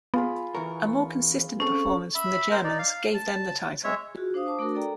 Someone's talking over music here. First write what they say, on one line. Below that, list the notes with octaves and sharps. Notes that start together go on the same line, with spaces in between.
A more consistent performance from the Germans gave them the title.
B3 F4 G#4 B5
E3 A#4 C#6
C4 C#4 A4
E5 B5
A#4 C5
D#4 D5
F5
A5
G#3 C#5 E5
F4 F#4 G#4
D4 C5 F5 D#6
C5 A5 D6 D#6
A3 D4 F#4 A#4
A4 D5 G5 A#5